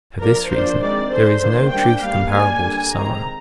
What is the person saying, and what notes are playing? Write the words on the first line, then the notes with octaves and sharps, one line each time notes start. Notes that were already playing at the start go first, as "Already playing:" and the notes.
For this reason there is no truth comparable to sorrow.
F3 A#3 D4 A#4
F3 A#3 D4 C5
D#3 G#3 C4 D5
D3 G#3 D4 C5
D#3 A#3 D4 C5
G3 A#3 D4 G5
G3 A#3 D4 F5
D#3 A#3 D4 G#5
D3 G3 D4
D#3 G#3 C4 A#5